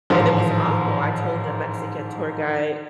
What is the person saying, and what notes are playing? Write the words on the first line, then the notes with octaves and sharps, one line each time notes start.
and it was awful. I told the Mexican tour guide,
A1 G#2 D#3 F3